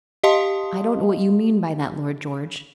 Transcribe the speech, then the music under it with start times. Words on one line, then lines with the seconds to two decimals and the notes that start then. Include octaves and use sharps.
"I don't know what you mean by that, Lord George."
0.23 G4 D#5 F5 A5 C6 D#6